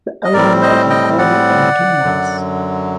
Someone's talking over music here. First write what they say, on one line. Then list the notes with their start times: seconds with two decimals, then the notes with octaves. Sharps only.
The album was recorded in two months.
0.24 D#5
0.33 A2 G3 C4 A#4 D5
0.62 C5 D#5
0.90 D#5 G5
1.18 D5 F#5
2.03 F#2 D3 F#3